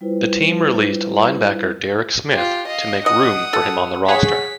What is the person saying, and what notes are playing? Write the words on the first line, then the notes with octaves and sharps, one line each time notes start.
The team released linebacker Derek Smith to make room for him on the roster.
G3 E4 F4 B4 C5
F4 G4
D#5 F5
D#5 F#5 D#6
A4
G#4 C#5 F#5 B6